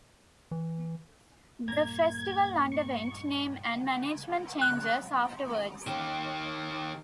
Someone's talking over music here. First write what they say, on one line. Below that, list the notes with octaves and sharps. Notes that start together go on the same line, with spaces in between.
The festival underwent name and management changes afterwards.
E3
G2 A#2 A#3 A#5 G#6
C#6
F#6
D#3 G4